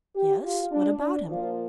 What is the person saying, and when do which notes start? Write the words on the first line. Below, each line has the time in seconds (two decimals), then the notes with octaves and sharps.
"Yes, what about him?"
0.16 G4
0.44 F4
0.72 D4
1.00 D4
1.28 A#2 F3 F4